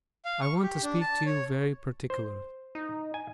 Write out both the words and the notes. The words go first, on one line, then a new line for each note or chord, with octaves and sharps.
'I want to speak to you very particularly.
F5
C#6
G4
D4
A5
C#5
C5
D#4
G#5